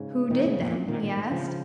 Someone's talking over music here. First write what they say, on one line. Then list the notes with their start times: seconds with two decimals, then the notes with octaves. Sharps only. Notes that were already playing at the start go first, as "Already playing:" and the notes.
"Who did, then?" he asked.
Already playing: G#2 C#3
0.30 A#2 D#3
0.45 G#2 C#3
0.59 F2 A#2
0.88 A#2 D#3
1.02 A#2 D#3
1.16 G#2
1.31 C#3 F3